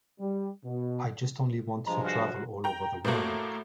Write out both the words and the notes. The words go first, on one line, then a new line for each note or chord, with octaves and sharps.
I just only want to travel all over the world!
G3
B2
G2 F3 G#3 A#5
F4 F#4 C5
G5 A#5
A2 A3 A#3 F#4 C5